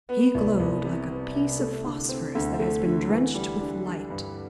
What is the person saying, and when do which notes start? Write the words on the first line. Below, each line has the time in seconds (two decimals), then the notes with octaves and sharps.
He glowed like a piece of phosphorus that has been drenched with light.
0.09 B3
0.34 C2
0.60 C2
0.84 C3
1.10 B3
1.34 C3
1.59 A3
1.85 D3
2.09 C4
2.35 D2
2.59 A3
2.85 D3
3.10 E3
3.35 G3
3.61 D4
3.86 D4
4.10 G2